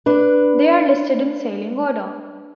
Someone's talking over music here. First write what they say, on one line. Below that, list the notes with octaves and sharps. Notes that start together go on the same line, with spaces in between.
They are listed in sailing order.
D4 B4